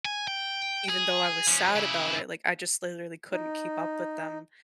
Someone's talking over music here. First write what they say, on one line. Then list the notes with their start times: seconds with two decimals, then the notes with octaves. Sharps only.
even though I was sad about it Like, I just literally couldn't keep up with them,
0.05 G#5
0.28 G5
0.89 G#4
1.47 F3 C#4
1.76 C#3 E4
3.32 D#4